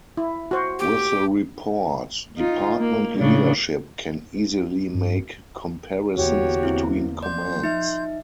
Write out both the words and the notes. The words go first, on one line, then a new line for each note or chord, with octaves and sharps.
With the report, department leadership can easily make comparisons between commands.
E4
F#4 C5
G4
D#4 F4
A#3
A2 C#3 D4
G2
E2 D3 A#3 F#4 G4 C#5
C4 E4
F3 D5 C6 G6
D#4 E5